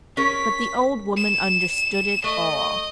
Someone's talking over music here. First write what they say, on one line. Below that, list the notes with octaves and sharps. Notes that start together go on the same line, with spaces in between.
But the old woman understood it all.
C#4 A#4 C#5 B6
E7
A3 D#5